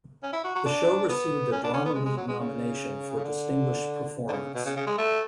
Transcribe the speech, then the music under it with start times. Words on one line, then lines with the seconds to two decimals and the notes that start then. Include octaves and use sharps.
The show received a Drama League nomination for "Distinguished Performance".
0.23 C#4
0.33 E4
0.44 F#4
0.55 F#4
0.66 D4
1.09 B3
1.52 C#4
1.63 D4
1.74 C#4
1.85 B3
1.95 G#3
2.05 G#3
2.17 F#3
2.28 G#3
2.39 C#3
3.24 D3
4.29 D3
4.32 C#3
4.55 B2
4.65 C#3
4.76 C#3
4.86 G#3
4.98 A3